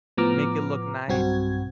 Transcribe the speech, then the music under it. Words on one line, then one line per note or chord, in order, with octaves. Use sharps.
make it look nice.
A2 F3 B3 A#5 D6 F6
B1 G2 C4 F#4 G#6